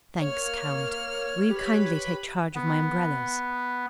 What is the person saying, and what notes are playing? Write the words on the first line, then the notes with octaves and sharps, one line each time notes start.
Thanks, Count; will you kindly take charge of my umbrellas?
A#3 C#5 F6
G4 B4 B5
B3